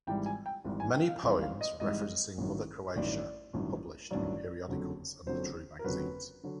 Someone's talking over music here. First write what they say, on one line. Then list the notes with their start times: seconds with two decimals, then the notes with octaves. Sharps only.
Many poems referencing Mother Croatia were published in periodicals and literary magazines.
0.07 G#1 G#2 E3 G3 G5
0.26 G#5
0.46 G5
0.65 G#1 G#2 E3 G3
0.80 G#5
0.94 G5
1.08 F5
1.23 G#1 G#2 E3 G3
1.42 F5
1.61 D#5
1.80 G#1 G#2 E3 G3 D#5
2.38 A1 G2 D#3 F#3
2.96 A1 G2 D#3 F#3 D5
3.54 A1 G2 D#3 F#3
4.11 A1 G2 D#3 F#3 D5
4.68 F#1 F2 D3 F#3
5.26 F#1 F2 D3 F#3 C5
5.79 A#4
5.84 F#1 F2 D3 F#3 B4
6.43 D3 F#3